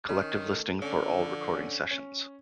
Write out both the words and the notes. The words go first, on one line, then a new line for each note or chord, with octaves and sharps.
Collective listing for all recording sessions.
D#3 C#4
A3
D3 C#4
F3
C#4
C#4